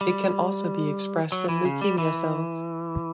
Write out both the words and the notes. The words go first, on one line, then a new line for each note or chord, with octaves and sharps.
It can also be expressed in leukemia cells.
G3
F#3
E3
C#3
G3
E3